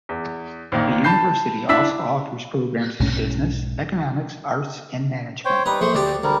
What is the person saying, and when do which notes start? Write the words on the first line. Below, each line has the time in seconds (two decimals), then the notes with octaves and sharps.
The university also offers programs in business, economics, arts, and management.
0.09 E2
0.72 A#1 D#3 A#3
1.04 A5 B5 G6 C7
1.69 D4 E4 E6 B6
3.00 B1 G#2 C#4
5.45 C5 C#5 G5
5.66 G3 D#4 B4
5.81 A#1 A3 C5 C#6
5.95 D2 G4 D5
6.24 D2 G3 A#4